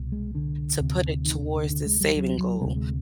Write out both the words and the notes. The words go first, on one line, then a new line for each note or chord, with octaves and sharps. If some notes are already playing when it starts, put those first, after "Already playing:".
To put it towards the saving goal.
Already playing: C2 B2
G#3
D3
D2 C3
D#3
D3
D3
D3
G#3
G3
F#3
F#3
D2 C3 G3
G#3